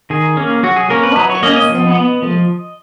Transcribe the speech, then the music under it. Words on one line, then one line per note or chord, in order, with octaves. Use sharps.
What eats the magpie?
D#3 G#4
A#3 C#4
F#3 F#4
G#4
A#3 C#4 A#4
B4
F#3 B4
C#5
A#3 C#4 D#5
D#5
F3
B3
F3